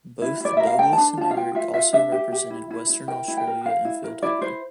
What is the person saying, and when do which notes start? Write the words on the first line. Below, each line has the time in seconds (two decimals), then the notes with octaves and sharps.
Both Douglas and Eric also represented Western Australia in field hockey.
0.22 E4
0.40 E4 D5
0.57 A#4 E5
0.67 F5
0.78 A4 G5
0.93 D4 A5
1.17 F4 A5
1.31 F5
1.36 F4 G5
1.55 F4 E5
1.74 F4 E5
1.93 D4 E5
2.12 G4
2.32 G4
2.50 E4
2.71 E4
2.90 E4
3.08 A#4 G5
3.28 E4
3.37 G5
3.47 A#4
3.66 A#4 F5
3.85 E4
4.04 A#4
4.23 E4 D5
4.42 E4 C5